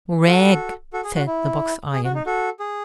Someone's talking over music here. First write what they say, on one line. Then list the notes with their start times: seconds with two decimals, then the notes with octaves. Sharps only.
"Rag!" said the box-iron.
0.26 F#4 A4
0.93 F#4 A4
1.04 G#4
1.15 F#4
1.27 E4
1.93 G#4
2.04 F#4
2.15 D#4
2.26 F#4 A4
2.60 G#4